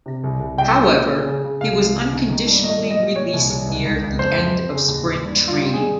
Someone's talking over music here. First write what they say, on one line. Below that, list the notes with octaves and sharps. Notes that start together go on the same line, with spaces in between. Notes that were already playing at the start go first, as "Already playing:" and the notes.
However, he was unconditionally released near the end of spring training.
C3
C2
C2
C2 G5
A#2
A#2
C#3
C#3
C#3
C2 F5
C2
C2
D#3
D#3
G2
A#2 D#5
A#2
D#5
A#2
A#2 C#5
C2
C2
C#2
C#2
C#2
F2 C5
F2
F2
C#3
D#2
D#2
G2
G2
F4
D#3 G4
G2 G#4